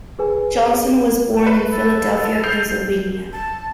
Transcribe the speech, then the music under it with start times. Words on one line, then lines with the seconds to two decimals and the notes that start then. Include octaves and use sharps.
Johnson was born in Philadelphia, Pennsylvania.
0.19 G#4 B4 G#5
1.46 B4
1.70 A4
2.44 G6 C7 F7
3.33 A5